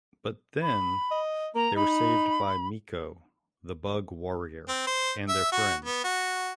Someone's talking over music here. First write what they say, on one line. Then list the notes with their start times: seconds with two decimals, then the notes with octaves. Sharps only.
But then they were saved by Miko the bug warrior and their friends.
0.62 B5
1.11 D#5
1.55 A#3 A#5
1.76 D#4 B5
4.69 C4
4.87 C5
5.29 E5
5.52 F#4
5.85 B3
6.04 F#4